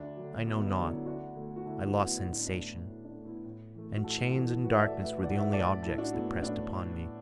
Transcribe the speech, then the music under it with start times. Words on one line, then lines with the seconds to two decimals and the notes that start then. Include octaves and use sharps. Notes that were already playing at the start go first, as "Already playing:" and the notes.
I know not; I lost sensation, and chains and darkness were the only objects that pressed upon me.
Already playing: D2 D4
0.17 D3 F#3
0.47 D2 B3
0.60 B3
0.67 D4
0.77 D3 F#3
0.86 B3 E4
1.06 D2 D4 F#4
1.36 D3 A3
1.56 F#4
1.66 D2 E4 A4
1.86 F#4 B4
1.96 D3 A3
2.06 B3 E4
2.25 A2 E4
2.33 D4
2.40 B3
2.47 D4
2.55 A3
2.85 A2
3.05 D4
3.15 A3
3.24 B3 E4
3.45 A2
3.75 E3 A3
3.96 F#4
4.04 A2 E4 A4
4.24 E4 A4
4.34 E3 A3 F#4
4.44 E4 A4
4.64 A2 F#4 B4
4.77 E5
4.84 A4 D5
4.94 A3
5.03 B4 E5
5.23 A2 D5 F#5
5.38 B4 E5
5.53 A3 A4 D5
5.83 A2 E4 A4
5.98 D4 F#4
6.12 F#3 A3 B3 E4
6.27 B3
6.42 A2 D4